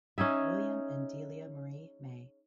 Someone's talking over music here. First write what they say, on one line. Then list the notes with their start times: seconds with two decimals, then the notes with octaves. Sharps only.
William and Delia Marie May.
0.18 C#4 D#4 G#4 E5